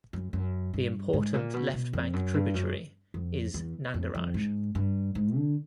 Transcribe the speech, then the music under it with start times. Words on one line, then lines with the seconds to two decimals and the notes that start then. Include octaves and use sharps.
The important left bank tributary is Nandiraj.
0.13 F#2
0.33 F#2
0.74 G2
1.13 G#2
1.34 A#2
1.54 B2
1.74 B2
1.93 F2
2.13 F#2
2.34 G2
2.54 F#2
3.14 F2
3.54 E2
3.94 F2
4.15 F2
4.34 G#2
4.75 G2
5.15 G#2
5.35 D3